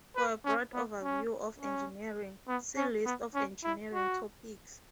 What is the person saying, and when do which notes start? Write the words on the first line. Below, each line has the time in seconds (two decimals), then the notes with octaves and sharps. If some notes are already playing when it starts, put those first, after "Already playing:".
For a broad overview of engineering, see List of engineering topics.
0.16 B4
0.45 C#4
0.73 B3
1.03 C#4
1.61 C#4
2.48 B3
2.77 C#4
3.05 B3
3.35 C#4
3.64 E4
3.94 F#4